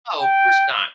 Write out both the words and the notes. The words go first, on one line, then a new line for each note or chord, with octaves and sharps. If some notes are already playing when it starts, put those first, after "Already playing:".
Oh, course not.
G5